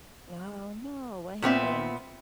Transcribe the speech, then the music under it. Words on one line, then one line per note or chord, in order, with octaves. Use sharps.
Oh, no! What happened?
A#2 B3 C4 E5